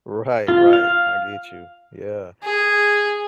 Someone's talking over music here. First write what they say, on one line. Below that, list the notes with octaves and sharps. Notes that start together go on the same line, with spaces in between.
Right, right, I get you, yeah,
F4
F5
G#4